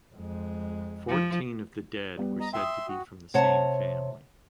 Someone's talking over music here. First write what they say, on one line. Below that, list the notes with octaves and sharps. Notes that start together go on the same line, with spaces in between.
Fourteen of the dead were said to be from the same family.
F2 G#3
F3
G3 B3
D#5 A#5
E5 G5 C6 D#6
F#4
C3 C#5 F#5 A5